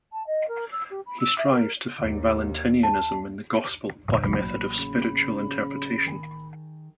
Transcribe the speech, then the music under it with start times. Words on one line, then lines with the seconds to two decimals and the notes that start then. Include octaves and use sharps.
He strives to find Valentinianism in the Gospel by a method of spiritual interpretation.
0.13 A5
0.27 D#5
0.48 A#4
0.72 E6
0.90 G4
1.06 B5
1.20 E6
1.38 E5
1.51 A#4
1.99 D#2
2.83 A5
4.23 A1 F#3 A#3 D#4 B5
4.79 C#3
6.06 D#3 G#4 G#5